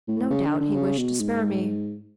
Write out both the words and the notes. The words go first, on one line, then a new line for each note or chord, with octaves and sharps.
"No doubt he wished to spare me."
A2
C#3
D3
D3
C#3
B2
G#2